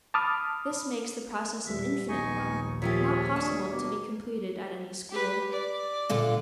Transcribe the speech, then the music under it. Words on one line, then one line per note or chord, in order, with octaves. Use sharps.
This makes the process an infinite one, not possible to be completed at any school.
A5 B5 D6 D#6 F6
E2 A#2 G3 E5
A#1 D#2 B3 D#4 G#5 C#6
A#2 F3 F4 G4 G#4 C#5 E5
D4 A5
B2 A#3
G4 B4
D5
A#2 D3 F4